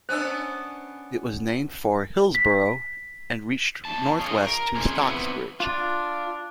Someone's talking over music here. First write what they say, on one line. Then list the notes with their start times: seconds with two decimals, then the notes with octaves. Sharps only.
It was named for Hillsborough and reached north west to Stocksbridge.
0.09 B3 C#4 D4 C5 E6
2.35 B6
3.85 E2 A5
4.20 D#4 F4 G#4 C#5 D#5
4.47 A#4
4.76 C3 D#3 C#4 F4 G#4 A#4
5.04 B3 C4 E4 B4 F#5
5.60 D4 F4